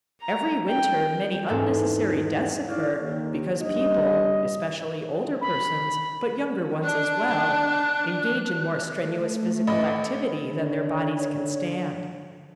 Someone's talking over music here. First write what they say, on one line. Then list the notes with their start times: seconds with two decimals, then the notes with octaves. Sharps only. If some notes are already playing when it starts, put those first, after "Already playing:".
Every winter many unnecessary deaths occur because people--especially older persons, but younger ones as well--engage in more strenuous physical activity than their bodies can stand.
0.21 A#5
0.67 G5
1.48 E2 G#2 A4
2.68 D#4 E4 C#5 D5 F5
3.00 D#2
3.62 G2 D#5
5.41 B5
6.84 D4 F#6
9.04 A3
9.67 A1 D#5 B5
10.53 D3 C#5